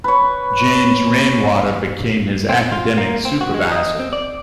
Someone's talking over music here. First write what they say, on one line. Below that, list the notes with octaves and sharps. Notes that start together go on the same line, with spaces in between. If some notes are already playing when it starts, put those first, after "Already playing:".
James Rainwater became his academic supervisor.
B4 C#5
C4
F4
A#3
C4
F#4
G#3
D#5
C4
D5